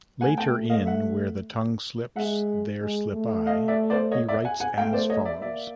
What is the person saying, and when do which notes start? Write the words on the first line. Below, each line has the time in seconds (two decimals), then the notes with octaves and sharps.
Later in "Where the tongue slips, there slip I" he writes as follows.
0.21 A3 F#5 G#5
0.38 G5 A5
0.70 D#5 F5
0.86 E5 F#5
2.16 G#3 E5 F#5
2.82 G#3
3.14 A3
3.46 D#5 F5
3.68 D5 E5
3.90 C5 D5
4.11 C#5 D#5
4.28 D5 E5
4.45 F#5 G#5
4.60 F#5 G#5
4.77 A3 F5 G5
4.93 C5 D5
5.10 C#5 D#5
5.25 D5 E5
5.42 A#3 D5 E5